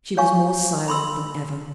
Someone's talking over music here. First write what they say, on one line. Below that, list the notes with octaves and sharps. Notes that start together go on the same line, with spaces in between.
She was more silent than ever.
C#5 F5 G#5 C#6
B5 C6 E6